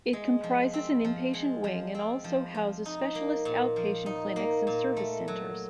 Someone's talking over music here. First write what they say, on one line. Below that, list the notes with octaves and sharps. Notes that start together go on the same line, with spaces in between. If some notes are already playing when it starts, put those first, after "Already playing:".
It comprises an inpatient wing and also houses specialist outpatient clinics and service centres.
G#3
F3
C4
F3
G#3
F3
C4
F3
F3
D#4
A#3
A#2
F3
D#4
A#3
A#2
A3
F#3